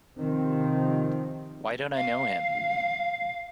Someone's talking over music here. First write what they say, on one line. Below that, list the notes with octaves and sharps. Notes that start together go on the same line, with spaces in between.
Why don't I know him?
C3 D#3 F3 C4
F5